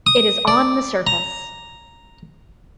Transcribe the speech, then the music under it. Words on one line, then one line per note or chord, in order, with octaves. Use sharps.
It is on the surface.
D#6
D5
A#5